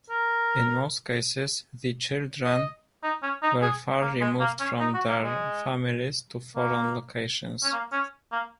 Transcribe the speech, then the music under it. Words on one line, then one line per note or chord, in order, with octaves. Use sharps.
In most cases, the children were far removed from their families to foreign locations.
A#4
D#5
D#4
C#4
D#4
G#4
A#3
G#3
A#3
C#4
D#4
F#4
A#3
G#3
A#3
C#4
A#3
C#4
A#3